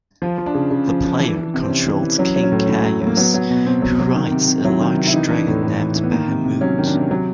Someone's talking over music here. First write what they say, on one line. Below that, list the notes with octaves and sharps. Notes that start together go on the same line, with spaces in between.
The player controls King Kayus, who rides a large dragon named Bahamoot.
F3 F4
F3
D4
C#3
C#3
F3
F3
E3
E3
C3
C4
C3 C#4
E3
E3
F#3 C#4
F#3
C#4
A2
A2
F#3
F#3
A#3
F#3 B3
F#3
B2
B2 C4
F#3
F#3
D#3
C3
C3
F#3 E4
D#3
C3
E4
E3 D#4
E3 D4
A2
A2
E3
E3
B3
D#3 A#3
C3
C3
F#3 C#4
D#3
D4
C3
F#3